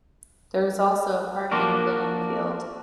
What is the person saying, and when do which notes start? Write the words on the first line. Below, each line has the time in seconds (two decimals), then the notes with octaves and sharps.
There is also a park and playing field.
1.51 F3 A#3 D4 F#4 A#4